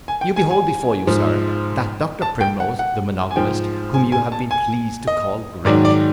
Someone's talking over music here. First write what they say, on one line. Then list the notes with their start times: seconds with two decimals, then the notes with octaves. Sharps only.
You behold before you, Sir, that Doctor Primrose, the monogamist, whom you have been pleased to call great.
0.08 G#5
0.21 G5
0.36 G#5
0.51 G#5
1.07 G#2 F3
2.22 A5
2.41 G5
2.60 F#5
2.79 F#5
3.31 G#5
3.36 G#2 F3 G5
3.94 G#5
4.12 G#5
4.32 A5
4.51 G#5
5.07 D#5
5.65 G#2 D#3 F#3 D5
5.85 D5